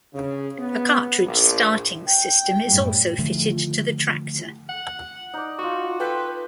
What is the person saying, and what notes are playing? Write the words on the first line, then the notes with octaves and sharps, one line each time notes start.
A cartridge starting system is also fitted to the tractor.
C#3
B3
A#1
G5
F#2 A2 G3
D3 D#3 F3 A3
F#5
D#4 D5
F4 F#4 C#6
A4 B4 G5 C6